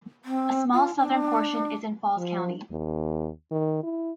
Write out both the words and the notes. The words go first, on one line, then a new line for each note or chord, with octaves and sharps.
A small southern portion is in Falls County.
C4
F4
D4
F3
D#2
D#3
E4